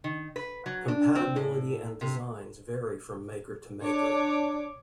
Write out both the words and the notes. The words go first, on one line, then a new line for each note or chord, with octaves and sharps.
Compatibility and designs vary from maker to maker.
D#3
B4
F#3
D4
C4
A2
C3
D4 C#5 D6